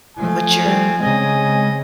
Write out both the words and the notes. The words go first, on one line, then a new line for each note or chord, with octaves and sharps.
What's your,
F3 A3 G#5
G3 C4
C#3 G#3 C4 D#5